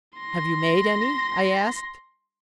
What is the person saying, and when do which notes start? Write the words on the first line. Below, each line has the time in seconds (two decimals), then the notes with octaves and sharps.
"Have you made any?" I asked.
0.18 C6 A#6